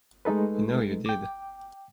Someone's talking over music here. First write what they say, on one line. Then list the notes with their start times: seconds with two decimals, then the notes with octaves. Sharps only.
You know you did.
0.25 G#3 A3 D#4 A4 B4
1.06 G5 D6